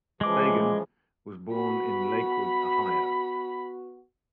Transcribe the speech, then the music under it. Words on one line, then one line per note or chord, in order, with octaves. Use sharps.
Feighan was born in Lakewood, Ohio.
C#3 E3 F3 G#3 D6
B3 F#4 B5